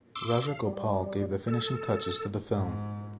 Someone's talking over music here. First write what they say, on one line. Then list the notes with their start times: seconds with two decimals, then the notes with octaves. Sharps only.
Rajagopal gave the finishing touches to the film.
0.15 C6 D6 E6
0.47 F5
0.67 G3
1.48 A4
2.54 G#2